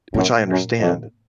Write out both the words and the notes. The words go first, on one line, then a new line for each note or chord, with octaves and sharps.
which I understand.
F#2 A#2
F#2
F2